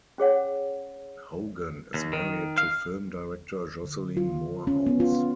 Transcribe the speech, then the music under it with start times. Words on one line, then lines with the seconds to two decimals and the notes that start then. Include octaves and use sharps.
Hogan is married to film director Jocelyn Moorhouse.
0.18 C#4 G#4 C#5 F#5
1.94 D#2
2.13 D#3
2.58 F5
3.85 D3
4.17 F4
4.67 C#4
4.87 B3
5.00 F4
5.13 C#4